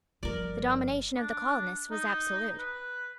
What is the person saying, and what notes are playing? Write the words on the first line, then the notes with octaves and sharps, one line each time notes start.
The domination of the colonists was absolute.
G1 F3 A#4 D5
D4
D#4
B4